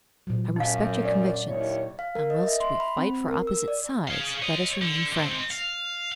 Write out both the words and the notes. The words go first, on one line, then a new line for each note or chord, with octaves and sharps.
I respect your convictions, and whilst we fight for opposite sides, let us remain friends.
A#2 F#3
F#2 D#4 F5
D5
D#2 E4 C#5
F5
A#4
D#5
E5
C6
B5
C4
A#4
E6
D5
G#4 F5
C#5 D#5
D3
D#3 C4
F5